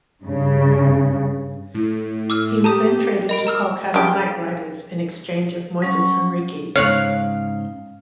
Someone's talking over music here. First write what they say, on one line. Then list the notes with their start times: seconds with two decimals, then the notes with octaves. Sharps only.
He was then traded to Kolkata Knight Riders in exchange of Moises Henriques.
0.22 G2 C#3
1.74 A2
2.30 D6 E6 F6
2.64 G4 A5 A#5 D#6
3.29 A#4 D#5 B5 D7
3.47 A#5 E6 F6
3.94 C#3 G4
5.82 F#3 C#4 C#6
6.76 G#2 C#3 C#5 F5 F6 F#6